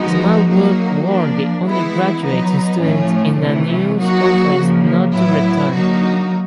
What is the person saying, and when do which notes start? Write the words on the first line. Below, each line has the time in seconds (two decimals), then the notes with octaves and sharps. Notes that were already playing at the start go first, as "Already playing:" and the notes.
Smallwood warned the undergraduate student in a news conference not to return.
Already playing: F3 G#3 B3 D#4 F#4
0.48 F#3 A#3 D#4 F#4
1.06 F3 A#3 D4
1.64 E3 G#3 B3 E4
2.23 F#3 B3 D#4
2.81 A2 F3 A3 C#4
3.38 C3 E3 A3
3.97 F#3 A#3 D#4 F#4
4.55 C#3 F3 A#3
5.14 A2 F#3 B3 E4
5.72 D3 F#3 A#3 D#4 F#4